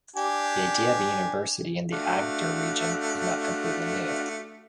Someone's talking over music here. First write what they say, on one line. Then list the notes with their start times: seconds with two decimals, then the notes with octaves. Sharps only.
The idea of a university in the Agder region is not completely new.
0.16 D4 G4 G#5
1.92 A3 D4 F#4 F5